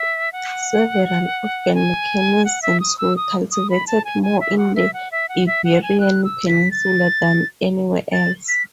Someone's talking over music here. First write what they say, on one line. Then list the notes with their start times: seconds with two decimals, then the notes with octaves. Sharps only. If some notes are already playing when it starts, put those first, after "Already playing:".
Several organ mechanisms were cultivated more in the Iberian peninsula than anywhere else.
Already playing: E5
0.32 F#5
1.74 G#5
2.45 F#5
2.62 E5
2.80 D#6
2.98 E6
3.16 D#6
3.52 D#6
3.70 B5
3.87 A5
4.05 G#5
4.23 G#5
4.40 E5
4.58 F#5
4.75 E5
4.93 F#5
5.11 E5
5.29 F#5
5.46 E5
5.64 F#5
5.83 G#5
6.00 F#6
6.24 E6
6.48 B6
6.71 A6
8.13 A6
8.48 B6